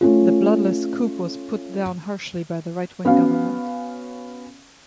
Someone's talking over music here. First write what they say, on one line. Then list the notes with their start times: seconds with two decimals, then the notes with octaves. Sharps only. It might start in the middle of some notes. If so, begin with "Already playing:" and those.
The bloodless coup was put down harshly by the right-wing government.
0.01 A3 C#4 F4
3.05 B3 C#4 F#4 F5